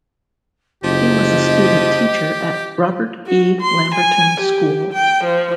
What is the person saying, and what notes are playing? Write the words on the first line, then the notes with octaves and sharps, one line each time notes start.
He was a student teacher at Robert E. Lamberton School.
F#1 F3 G4 D#5
F#4
C6
G#5
G4
G5
F3